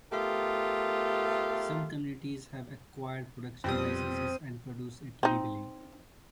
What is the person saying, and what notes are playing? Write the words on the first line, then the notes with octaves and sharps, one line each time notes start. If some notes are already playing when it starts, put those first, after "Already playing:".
Some communities have acquired production licences and produce it legally.
A3 B3 F4 G4 A#4
F2 B2 G3 C4 D#6
C4 D#4